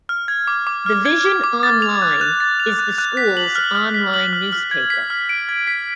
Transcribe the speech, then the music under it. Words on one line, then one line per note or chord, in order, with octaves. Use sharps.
"The Vision Online" is the school's online newspaper.
F6
G#6
D6
D6
F6
G#6
D6
D6
A6
F7
F#6
F#6
A6
F7
F#6
F#6
B6
F#7
F6
F6
B6
F#7
F6
F6
G#6
B6
F6
D7
G#6
B6